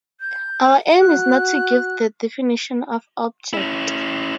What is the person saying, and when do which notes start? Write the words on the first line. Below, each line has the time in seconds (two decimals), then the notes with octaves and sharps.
Our aim is not to give the definition of "object".
0.20 G6
1.00 F#4 F#6
3.53 C#4 E4